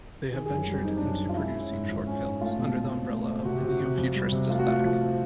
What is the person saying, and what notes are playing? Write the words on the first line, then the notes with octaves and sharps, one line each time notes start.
They have ventured into producing short films under the umbrella of the Neo-Futurist aesthetic.
G4
D#3 G#4
G#4
F#2
G#4
G3 G4
C4 D#4
D4
F#2
D#4
C4
F4
G#3 E4
C#4
G#2
F3
C#4
G#2
A3 F4
B2
A3
C4
A3
C4
C3 F#4
G4
C3
F#4
C3
F2
G3
C3
A3 F4
F#4
A3 F4
F3
C4